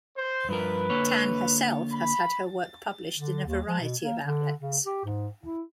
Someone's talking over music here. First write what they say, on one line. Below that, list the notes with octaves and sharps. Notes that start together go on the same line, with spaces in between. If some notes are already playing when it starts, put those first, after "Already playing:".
Tan herself has had her work published in a variety of outlets.
C5
G2 F3 A#4 B4
D3 A#3 C#5
B5
D3
D#2
F3
B2
A#3
D3
C#3
G4
G#2
E4